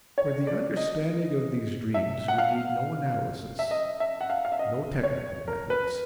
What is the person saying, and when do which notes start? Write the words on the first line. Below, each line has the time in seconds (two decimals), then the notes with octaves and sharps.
For the understanding of these dreams we need no analysis, no technical methods.
0.18 C#5
0.47 D5
0.77 D#5
1.94 E5
2.28 F#5
2.38 F5
3.59 E5
3.71 D#5
4.00 E5
4.21 F#5
4.30 F5
4.45 F5
4.52 E5
4.59 D#5
5.03 C#5
5.48 A#4
5.70 B4